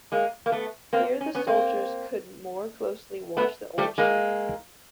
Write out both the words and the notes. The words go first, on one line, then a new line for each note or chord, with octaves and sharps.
Here the soldiers could more closely watch the old chief.
G#3 A#3
A#3
A3 B3
A#3 C4
C#4
B3 C#4
A#3 C4
A3 B3
G3 A3
G#3 A#3